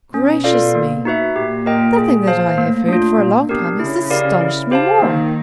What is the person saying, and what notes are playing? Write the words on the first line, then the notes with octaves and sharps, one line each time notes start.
Gracious me;--nothing that I have heard for a long time has astonished me more.
B2 C#4
F4 A4 D5 F5
A#3
D#4 F#4 B4 E5
A#2 G4
A#4 D#5 G5
G#4
C5 F5 A5
A2 A#3
D4 F4
A#2 A#3
B2 D4 G4 A#4
C#3 E4
G4 A#4 D5 F5
E4
G4 C5 F5 A5
D#3 A#3